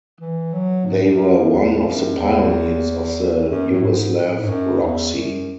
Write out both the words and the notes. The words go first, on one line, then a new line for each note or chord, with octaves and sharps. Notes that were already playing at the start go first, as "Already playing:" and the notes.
They were one of the pioneers of the Yugoslav rock scene.
E3
F#3
G#2
F#2
F#2
E2
F#2
E2
F#2
A2
G#2
A2
G#2
F#2
E2
F#2